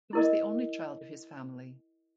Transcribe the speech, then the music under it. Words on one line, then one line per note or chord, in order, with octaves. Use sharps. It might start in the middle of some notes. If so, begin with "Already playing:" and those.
He was the only child of his family.
E4 A#4 D#5